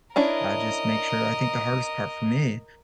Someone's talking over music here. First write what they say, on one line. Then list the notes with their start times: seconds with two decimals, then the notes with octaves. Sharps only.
uh, just make sure I think the hardest part for me
0.16 C#4 D4 E4 A#4 D#5